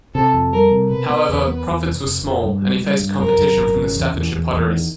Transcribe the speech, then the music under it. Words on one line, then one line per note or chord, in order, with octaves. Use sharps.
However, profits were small and he faced competition from the Staffordshire Potteries.
C3 A4
F2
G3 A#4
C3
B2 B4
B3
E2
B3
E2
F1
F1
F1
G2
G3
G3
G2
F#2 A#4
F#2
G#1
C#3
E2
E2
E2
E2
D#3